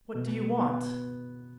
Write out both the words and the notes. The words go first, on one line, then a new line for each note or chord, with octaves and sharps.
"What do you want?"
B2
B3